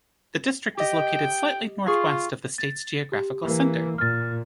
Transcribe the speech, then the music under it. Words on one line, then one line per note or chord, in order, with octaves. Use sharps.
The district is located slightly northwest of the state's geographical center.
G4 D#5 G5
F4 G#4 C#6
A6
G4
E3 A#3
A#2 F6 A6